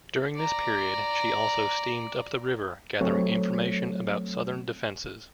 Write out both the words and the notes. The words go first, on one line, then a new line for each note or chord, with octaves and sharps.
During this period, she also steamed up the river gathering information about Southern defenses.
D5 A#5
F#3 A3 C4 C#5